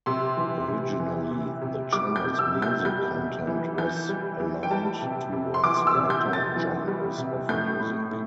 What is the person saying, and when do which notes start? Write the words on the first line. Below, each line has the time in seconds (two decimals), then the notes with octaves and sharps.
Originally, the channel's music content was aligned towards lighter genres of music.
0.06 C3 C6
0.37 E3
0.68 C3
1.00 E3
1.31 C3
1.62 C3
1.93 G3 D6
2.16 G6
2.24 C3
2.39 E6
2.55 C3
2.62 G6
2.85 G3 G6
3.16 C3
3.47 E3
3.78 E3 G6
4.09 G3
4.40 E3
4.63 G5
4.71 G3 A5
5.02 C3
5.32 C3
5.54 C6
5.64 E3 D6
5.87 E6
5.94 C3
6.10 G6
6.25 C3
6.33 A6
6.56 E3
6.88 G3
7.18 C3
7.49 A2 G6
7.80 A2
8.11 A2